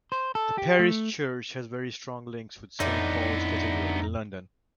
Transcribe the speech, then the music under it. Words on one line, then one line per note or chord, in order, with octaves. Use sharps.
The Parish Church has very strong links with Saint Paul's Cathedral, in London.
C5
A4
G4
A3
F2 A2 D3 E3 B3 D#4 D5